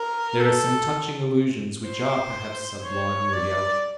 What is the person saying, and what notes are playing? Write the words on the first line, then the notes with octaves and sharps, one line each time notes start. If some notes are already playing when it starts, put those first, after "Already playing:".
There are some touching illusions which are, perhaps, sublime realities.
Already playing: A#4
A4
C5
C#5
D5